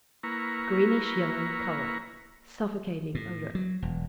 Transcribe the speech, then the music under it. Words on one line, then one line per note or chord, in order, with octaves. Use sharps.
Greenish-yellow colour, suffocating odour.
A#3 E4 B4 A#5 C#6
A2
F#3
E1